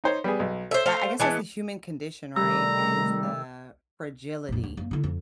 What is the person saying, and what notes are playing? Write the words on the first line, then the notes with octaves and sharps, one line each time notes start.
I guess that's a human condition, right, is the fragility
D#4 C5 C#5
G3 B3 G#4
B1
A4 C5 C#5 E5
A3 C5 F5
E3 G#3 B3 B4 G#5 A5
C3 D#3 G3 A3 A#5 E6
A#1 F2
D#2
F#2 A#3
D3 E4
F2